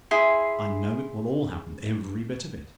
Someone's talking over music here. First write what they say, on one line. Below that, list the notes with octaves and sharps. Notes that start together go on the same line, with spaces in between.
I know it will all happen- -every bit of it.
E4 G#4 G#5 C6